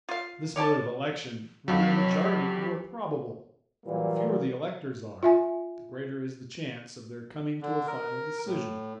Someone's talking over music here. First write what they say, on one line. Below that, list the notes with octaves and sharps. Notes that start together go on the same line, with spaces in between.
This mode of election rendered a majority more probable; for the fewer the electors are, the greater is the chance of their coming to a final decision.
F4 F5
C#5 D5 G#5 A5
F2 F#3 F5
C#5
G4
A#2 E3 F#3 G3 A#3
F4 E5 G#5
D3
A#4
A2